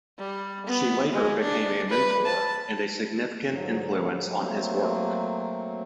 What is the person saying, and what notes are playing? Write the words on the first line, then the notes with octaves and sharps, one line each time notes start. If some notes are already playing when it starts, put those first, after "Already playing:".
She later became a mentor and a significant influence on his work.
G3
B3
G#3
D4
B4
A5
G#2 D3 F#3
F#3 A3 A#3 C4